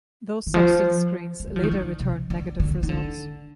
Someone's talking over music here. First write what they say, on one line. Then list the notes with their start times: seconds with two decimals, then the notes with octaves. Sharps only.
Those substance screens later returned negative results.
0.47 D#3
0.54 F3
1.40 G#3
1.47 G3
1.56 F3
1.63 D#3
1.71 D3
2.00 C3
2.30 D3
2.60 D3
2.83 D#3
2.89 D3